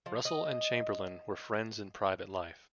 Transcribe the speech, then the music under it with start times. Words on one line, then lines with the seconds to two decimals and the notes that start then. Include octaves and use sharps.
Russell and Chamberlain were friends in private life.
0.06 F3
0.25 D#5